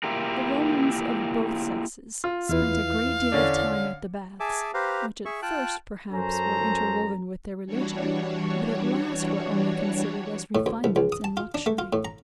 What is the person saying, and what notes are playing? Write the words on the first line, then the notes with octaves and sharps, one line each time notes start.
The Romans, of both sexes, spent a great deal of time at the baths; which at first, perhaps, were interwoven with their religion, but at last were only considered as refinements in luxury.
A#3 E4 F4 G4 A#4
F4
E2 E4 B4 F5
D3 C#4 D4
G#4 E5 G#5 A5 D6
G4 B4 C5 F5 A#5
G#4 E5 C#6
F4 G5 A5 F#6
F#2 C#4 A4 C5 A#5
E3 G3 D4 F#4 C#5
A2
D2
C2
C#2
D#6
A5
F4
D4
A3
F4
A2
A#5